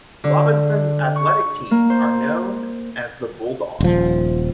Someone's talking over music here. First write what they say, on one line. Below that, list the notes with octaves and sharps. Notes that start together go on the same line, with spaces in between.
Robinson's athletic teams are known as the "Bulldogs".
D3
C#6
A#3
C5
D#1 F3